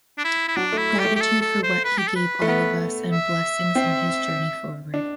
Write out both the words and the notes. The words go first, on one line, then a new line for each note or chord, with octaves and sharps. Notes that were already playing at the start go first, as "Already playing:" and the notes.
Gratitude for what he gave all of us and blessings on his journey forward.
D4
E4
E4
F#3 D4
A3
E4
G4
A3
G4
A4
A4
C5
B4
G4
A4
B4
A3
B3 B4
E5
C4
D4